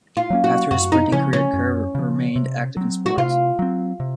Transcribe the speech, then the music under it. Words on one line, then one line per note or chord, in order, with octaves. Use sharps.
After his sprinting career, Kerr remained active in sports.
F4
F#3 A#3 C#4
F#4
F#2 F#4
D#4
C#3 F3 C#4
C#4
F#2
C#3 F3
C3
F#3 C4
F#4
C3 F4
F#3 C4
C3